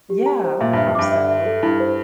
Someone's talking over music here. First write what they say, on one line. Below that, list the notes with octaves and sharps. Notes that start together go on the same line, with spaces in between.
Yeah, I would hope so.
G4
A#5
C5
A#2 E5
G2 E5
F2
G2 D6
E5
E5
A4
G2 E4
C5